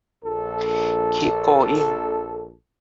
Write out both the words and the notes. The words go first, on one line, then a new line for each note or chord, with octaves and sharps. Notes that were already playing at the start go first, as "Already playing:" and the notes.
Keep going!
A#1 A4